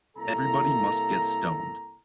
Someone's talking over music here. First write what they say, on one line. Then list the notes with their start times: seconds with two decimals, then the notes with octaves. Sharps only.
Everybody must get stoned.
0.17 C2 A#3 E4 A4 A#5